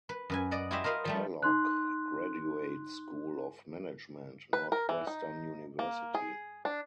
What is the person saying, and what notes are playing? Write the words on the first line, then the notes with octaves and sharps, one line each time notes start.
Kellogg Graduate School of Management, Northwestern University.
B4
F#2 B4 G#5
D5 D#5 F#5
E4 F#4 G4 C5 D#5 E5
A#4 C5 D#5 F5 B5
F3 G3 A3
D#4 C6 F#6
B4
A#4
E3
D#4
A#3
G#4
D4